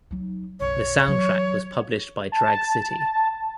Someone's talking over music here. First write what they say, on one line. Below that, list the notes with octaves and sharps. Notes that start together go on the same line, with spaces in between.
The soundtrack was published by Drag City.
F#3 D#4
B1 F#2 C#5
E3 F#3
A5